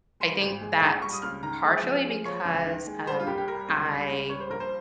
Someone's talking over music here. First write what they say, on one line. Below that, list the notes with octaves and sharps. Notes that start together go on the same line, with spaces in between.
I think that's partially because, um, I
G3 C6
G#1
G#3
A#1
G3 C#6
D#6
C#2 F6
D#3 A#5
G#3
F3
G#3
F3 C#5
C#2
D#3
G#3
G3 C5
F4
C2 G4
G4
G3 A#4
C#2
G3
C#2
G3 C#5
C5
A#1 A#4
C5